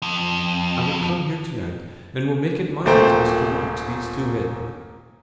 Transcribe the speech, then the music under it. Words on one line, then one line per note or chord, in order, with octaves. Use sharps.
I will come here to-night and will make it my business to watch these two men.
F2
D#1 A#2 A3 A#3 C5 G5